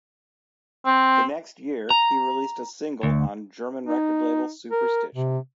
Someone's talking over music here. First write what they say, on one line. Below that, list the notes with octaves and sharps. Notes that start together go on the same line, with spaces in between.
The next year, he released a single on German record label Superstition.
C4
A#5
D2
D#4
A#4
C3